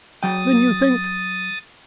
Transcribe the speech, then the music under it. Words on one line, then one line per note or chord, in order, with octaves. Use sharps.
"Then you think--?"
F#3 G5 D#6 A6